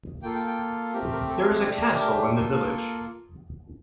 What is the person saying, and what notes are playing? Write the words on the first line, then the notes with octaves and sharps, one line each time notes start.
There is a castle in the village.
A#3 F4 A4 G5
G5
G5
A3 C4 G4 A#4
A#4
A4
A#4
A4
A3 D4 G4 A4
A4
A#4
A#3 F4 A4 A#4
A#4